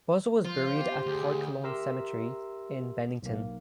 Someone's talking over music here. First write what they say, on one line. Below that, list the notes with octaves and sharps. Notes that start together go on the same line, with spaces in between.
Buzzell was buried at Park Lawn Cemetery in Bennington.
F3 F4 C5
B3 G4
D2 G#4
G4 A#4 E5 A#5 C6 E6
B1 A#3